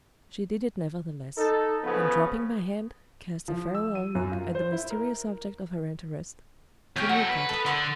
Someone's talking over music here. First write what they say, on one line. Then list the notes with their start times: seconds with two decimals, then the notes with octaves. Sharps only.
She did it nevertheless; and dropping my hand, cast a farewell look at the mysterious object of her interest--the new cottage.
1.38 D#4 A4
1.84 C#3 F3 B3
3.48 F3
3.75 E6
3.95 D#7
4.15 F#2
4.32 F4
4.55 C5
4.72 E4
4.91 A#4
6.96 E2 G4 C#5 F6 G6
7.09 F#3 A4 F#5
7.30 B4
7.49 B3 A4
7.66 D3 F#5 C6